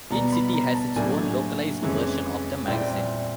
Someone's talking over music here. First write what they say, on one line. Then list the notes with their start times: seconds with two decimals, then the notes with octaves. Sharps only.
Each city has its own localised version of the magazine.
0.10 B2 G3 B3 A#5
0.32 B5
0.53 A#5
0.74 A5
0.96 A2 F#3 A#3 D4 G#5
1.82 F2 C3 E3 G#3 C#4
2.68 A#2 G3 C4 E4 G5